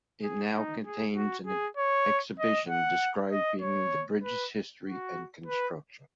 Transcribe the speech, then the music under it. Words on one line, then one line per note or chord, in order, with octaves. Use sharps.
It now contains an exhibition describing the bridge's history and construction.
G#4
D#4
G#4
F#4
G#4
C#5
D#5
F#5
D#5
C#5
B4
F#4
B4